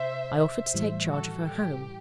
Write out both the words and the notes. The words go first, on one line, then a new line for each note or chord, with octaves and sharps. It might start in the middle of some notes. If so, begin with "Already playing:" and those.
I offered to take charge of her home.
Already playing: C3 C5 E5
C5 E5
A2 E3 G3
F#4 A4
G4